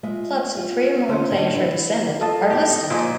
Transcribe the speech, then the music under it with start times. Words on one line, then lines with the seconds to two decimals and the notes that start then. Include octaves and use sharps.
Clubs with three or more players represented are listed.
0.03 G#3 F4 E5
0.57 F4
1.08 D3 C#4 F4 C5
1.30 G2 D3 G3 D4 D#5 F#5
1.56 E3
2.21 F4 A4 D#5 A5
2.50 A2 G4
2.70 D#4
2.90 A#2 F3 D#5 G#5 C6